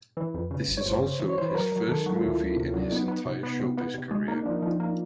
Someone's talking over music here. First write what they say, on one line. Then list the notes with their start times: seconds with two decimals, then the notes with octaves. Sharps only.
This is also his first movie in his entire showbiz career.
0.17 E3 B4
0.34 F2
0.51 C#3
0.68 G1
0.77 C#5
0.86 G1 C5
1.03 C#3
1.19 E3
1.30 C#5
1.38 E3 C5
1.46 B4
1.55 F#3 A#4
1.72 F#3
1.88 D#3 A4
2.06 F#3
2.15 F4
2.23 D2 E4
2.41 D2
2.57 C3
2.64 C#4
2.74 F#3 D4
2.91 B3 D#4
3.08 B3
3.26 C3
3.43 B3
3.60 C3
3.77 B3
3.94 C3
4.11 G#3
4.28 A#3 D#4
4.43 F3 D4
4.56 D#4
4.62 F3
4.80 A#3